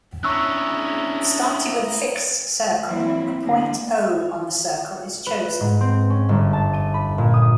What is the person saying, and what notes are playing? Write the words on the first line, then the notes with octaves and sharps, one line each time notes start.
Starting with a fixed circle, a point O on the circle is chosen.
C#4 D4 E4 A#5 C#6 D#6 E6 F#6
E3 F#3 A#3 C4 E4
D3 G3 A3 A#3
B4
G#2
C4
C#4
G1
A5
D#7
B5
A#2
D#6